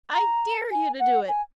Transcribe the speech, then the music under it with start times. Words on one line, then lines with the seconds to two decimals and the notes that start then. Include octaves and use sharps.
I dare you to do it!
0.14 A#5
0.71 G#5
1.00 F#5
1.28 G#5